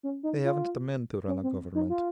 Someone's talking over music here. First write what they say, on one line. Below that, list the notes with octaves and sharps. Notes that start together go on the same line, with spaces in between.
They haven't the men to run a government.
C#4
D#4
F4
C#4
C4
D#4
F4